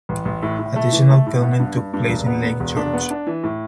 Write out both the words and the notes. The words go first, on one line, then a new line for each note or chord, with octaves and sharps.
Additional filming took place in Lake George.
A1
A1
A2
A2
A3
E3
A3
A2
B3
G2
G2
G2
E1
B3
B3
E1
D4
B3
D4
E3
A2